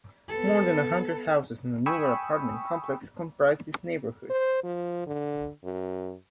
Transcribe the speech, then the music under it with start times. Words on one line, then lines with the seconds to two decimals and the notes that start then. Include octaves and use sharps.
More than a hundred houses and a newer apartment complex comprise this neighborhood.
0.29 B3 A4
1.86 G5 G#5 B5 C#6 D#6 E6
4.30 C5
4.64 F3
5.07 D3
5.64 F#2